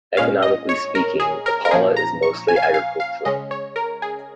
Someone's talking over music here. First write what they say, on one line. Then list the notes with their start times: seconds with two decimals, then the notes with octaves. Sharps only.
Economically speaking, Ipala is mostly agricultural.
0.17 A#2 G#3 C#4 F5
0.42 D#5
0.69 C#5
0.95 A#4
1.20 G#4
1.46 A#4
1.65 A#4
1.71 A#2 F3 C#4 G#4
1.97 A#5
2.23 C#6
2.48 G#5
2.56 F5
2.63 G#5
2.74 F5
3.00 F5
3.25 C#3 G#3 C#4 D#5
3.51 C#5
3.76 A#4
4.02 G#4